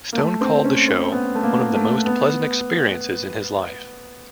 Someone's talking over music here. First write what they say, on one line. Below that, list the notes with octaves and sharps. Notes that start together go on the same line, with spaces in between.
Stone called the show one of the most pleasant experiences in his life.
A#3
A3
C4
C#4
C4
B3
A3
A#3
A3
B3